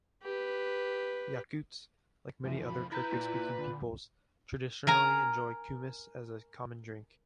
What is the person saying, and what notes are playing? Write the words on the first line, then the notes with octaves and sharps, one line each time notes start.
Yakuts, like many other Turkic-speaking peoples, traditionally enjoy kumis as a common drink.
G4 B4
F#1 D2 E3 F3 E5
B5
E4 B4 A#5 F#6 G6
A#2 B6
D3
A#4 G#5 A#5